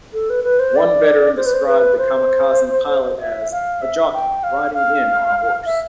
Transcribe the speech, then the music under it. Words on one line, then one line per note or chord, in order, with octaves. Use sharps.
One veteran described the kamikaze pilot as: a jockey riding in on a horse.
A4
B4
B4
C5
D5
C5
B4
C5
B4
C5
E5
F5
E5
G5
F5
F5
E5